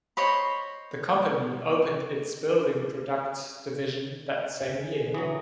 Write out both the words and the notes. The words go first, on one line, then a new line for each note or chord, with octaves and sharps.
The company opened its building products division that same year.
C5 C#5 D#5 B5
D3 G#4
D3 E3 F#3 D#6 A#6